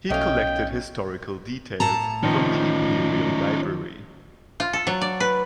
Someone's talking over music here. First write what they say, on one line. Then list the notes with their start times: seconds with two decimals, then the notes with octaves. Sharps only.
He collected historical details from the Imperial library.
0.10 B1 A3 C#4 D#5 F5 G5
1.80 A2 A5 A#5
2.23 D#3 F3 C#4 D#4
4.60 F4
4.73 A4
4.87 F#3
5.01 D5
5.20 B4